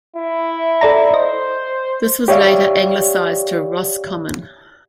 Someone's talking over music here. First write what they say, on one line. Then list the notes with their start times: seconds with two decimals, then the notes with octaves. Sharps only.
This was later anglicised to Roscommon.
0.16 E4
0.81 A4 D5 A#5
1.14 C5 D#5
2.28 G4 C#5 D5 E5 F5